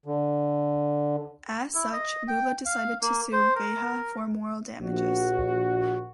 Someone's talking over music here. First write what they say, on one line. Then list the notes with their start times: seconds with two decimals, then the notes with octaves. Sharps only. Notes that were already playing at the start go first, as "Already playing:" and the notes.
As such, Lula decided to sue "Veja" for moral damages.
0.06 D3
1.74 E4
1.92 D#5
2.28 G5
2.66 F5
3.02 A#3
3.32 C5
3.56 A#4
4.81 A#1 F#4